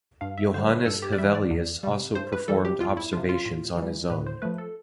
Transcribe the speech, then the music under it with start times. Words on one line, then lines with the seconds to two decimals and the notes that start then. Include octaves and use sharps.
Johannes Hevelius also performed observations on his own.
0.21 G2 F5
0.38 E5
0.54 D3 G3 C5
0.70 B4
0.86 G2 A4
1.02 G4
1.13 D5
1.18 E3 G3 E5
1.35 D5
1.51 E2
1.83 C3 G3
2.15 G2 C5
2.32 B4
2.48 E3 G3 A4
2.65 G4
2.80 E2 F4
2.97 E4
3.13 C3 F3 F4
3.29 F4
3.45 A2
3.77 E3
3.82 G3
4.10 A2 B4
4.26 C5
4.42 F3 A3 B4
4.58 A4